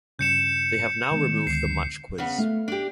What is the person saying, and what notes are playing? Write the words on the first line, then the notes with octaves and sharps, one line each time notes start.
They have now removed the Much Quiz.
G2 C#3 G6 C#7 E7
D#3 G#3 B3
D2 C7
C#3 B3
A3 F5
D4 G4